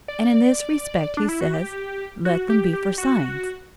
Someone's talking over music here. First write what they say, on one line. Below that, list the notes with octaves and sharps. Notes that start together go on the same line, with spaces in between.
And in this respect he says: "Let them be for signs."
D5
D4
E4
F#4
G4
F#4
G4
G4
F#4